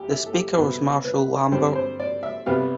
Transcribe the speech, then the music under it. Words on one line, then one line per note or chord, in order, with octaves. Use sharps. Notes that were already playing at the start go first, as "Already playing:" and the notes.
The Speaker was Marcel Lambert.
Already playing: A1 G4
E5
A4
G4
C2 B2 B3 A4
B4
G2 D3 G3 C4 C5
C5
D5
E5
C2 C3 G3 B3 F5